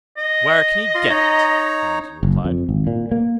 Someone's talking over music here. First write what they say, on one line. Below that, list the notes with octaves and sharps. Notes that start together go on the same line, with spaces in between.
"Where can he get it?" Harrington replied.
D#5
F4 C6
D#4 C#5 A#5
F#1
F2
G#1
A#2
A#3